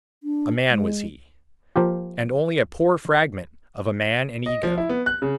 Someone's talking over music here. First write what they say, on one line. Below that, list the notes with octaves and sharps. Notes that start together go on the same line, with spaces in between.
A man was he, and only a poor fragment of a man and ego.
D4
G#3
F3 A#3 F4 G4
D#5
F3
E4
B3
F#6
C#3